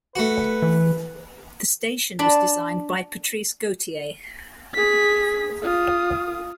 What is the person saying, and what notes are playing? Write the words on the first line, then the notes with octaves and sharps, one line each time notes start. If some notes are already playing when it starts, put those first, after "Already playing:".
The station was designed by Patrice Gauthier.
A3 F#4 B4
E3
D4 A5 B5
G#4 B6
F4 D#6